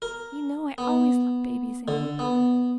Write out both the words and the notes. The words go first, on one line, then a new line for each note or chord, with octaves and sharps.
You know I always loved babies, Anne.
A#4
B3
D3
B3